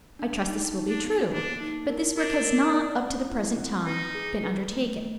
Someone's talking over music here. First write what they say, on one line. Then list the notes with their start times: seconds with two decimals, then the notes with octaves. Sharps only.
I trust this will be true, but this work has not, up to the present time, been undertaken.
0.19 D4
0.47 D#4
0.76 D#4
0.90 D4
1.04 B3
1.32 A#3 D4
1.61 D#4
1.89 A#4
2.17 D4 A#4
2.45 A#4
2.74 D5
3.02 C4
3.30 E4
3.58 C4
3.86 D#4 B4
4.15 G#4
4.43 B4
4.72 A3
5.00 A3